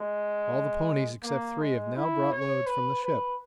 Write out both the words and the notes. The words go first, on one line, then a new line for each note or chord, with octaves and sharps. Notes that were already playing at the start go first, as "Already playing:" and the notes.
All the ponies except three have now brought loads from the ship.
Already playing: G#3
A#3
G#3
E4
C#5
B4
B4